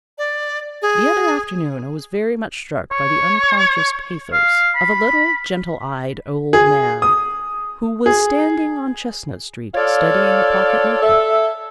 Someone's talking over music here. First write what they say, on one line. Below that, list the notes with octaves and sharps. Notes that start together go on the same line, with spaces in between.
The other afternoon I was very much struck by the unconscious pathos of a little, gentle-eyed old man who was standing on Chestnut Street studying a pocket notebook.
D5
G#4
C#5
F5
B5
G#4
D#6
G#4
F4 A4 C#5 D5 F5
A4 E5